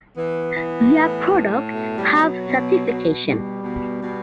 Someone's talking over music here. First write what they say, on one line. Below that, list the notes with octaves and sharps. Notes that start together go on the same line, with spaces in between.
Their products have certification.
E3 B3
E3
A2
A2
B2 A3
G3
B2
F#3
B2
B2
B2 G3
B2
B2